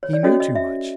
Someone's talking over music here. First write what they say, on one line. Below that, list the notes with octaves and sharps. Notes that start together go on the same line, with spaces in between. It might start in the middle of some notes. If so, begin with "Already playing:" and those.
He knew too much.
C#5
D5
C#4 F#4 A4 C#5 D#5
D#5
E5